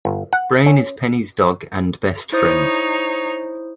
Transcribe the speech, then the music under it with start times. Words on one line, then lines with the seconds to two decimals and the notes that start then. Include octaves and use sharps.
Brain is Penny's dog and best friend.
0.05 G1
0.33 F#5
0.66 C#4
2.32 D#4 E4 C5 C#5 D#6